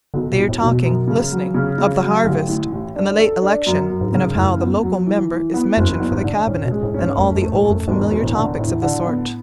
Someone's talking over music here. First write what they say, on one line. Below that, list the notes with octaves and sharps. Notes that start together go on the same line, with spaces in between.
They are talking,--listen,--of the harvest, and the late election, and of how the local member is mentioned for the cabinet and all the old familiar topics of the sort.
B1 D3
B2
B1
A2
B1
B2
F#2
C#3
F#3
C#3
C#3
F#3
A1 D3
A2
A1
D4
A4
D4
F#2
F#2
G#2
A2 C#3
G#2
F#2 A2
B3
F#3
E3
E3
B3
F#1 F#2
E2
G#2
D3
A2 C#4
B2
G#3
A2
C#4
G#2
F#2 A3
F#2
A3
A2
A3
F#2
E1 G#2
E1
A2
D3
A2 E4
D3
B3